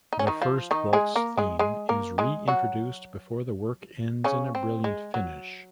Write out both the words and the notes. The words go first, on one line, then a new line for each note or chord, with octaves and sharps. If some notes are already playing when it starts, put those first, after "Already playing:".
The first waltz theme is re-introduced before the work ends in a brilliant finish.
D#4
C#4
D#3 D#4
F3 F4
D#3 D#4
G#3 G#4
A#3 A#4
G#3 G#4
G#3 G#4
A#3 A#4
G#3 G#4
F#3 F#4
C#3 C#4
C4
G#3
F#3